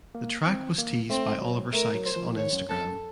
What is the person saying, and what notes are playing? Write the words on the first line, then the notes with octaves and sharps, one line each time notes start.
The track was teased by Oliver Sykes on Instagram.
A#3
C4
A#3
A3 C4
F#3
A3 A#4
F#3
C5
F3
D#3 C#5
F#2
F2 A4
F#2